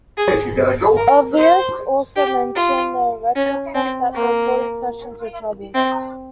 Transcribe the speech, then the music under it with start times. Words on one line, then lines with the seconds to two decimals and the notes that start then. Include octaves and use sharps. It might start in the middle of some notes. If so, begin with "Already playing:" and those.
Ulvaeus also mentioned in retrospect that the recording sessions were troubled.
0.18 G#4
0.97 A#4
1.37 C5
2.16 G4
2.56 F4
3.36 C#4
3.75 C4
4.15 A#3
5.74 C4